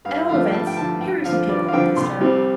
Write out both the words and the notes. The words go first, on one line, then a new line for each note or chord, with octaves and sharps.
At all events here are some people up and stirring.
G2 F5
D3 F3 A3 F5
G5
G2 A5
G5
D3 F3 A3 A5
G2 G5
D3 F3 C4 F5
G2 D5
F5
D3 F3 C4 G5
C2 C6
C3 G3 C4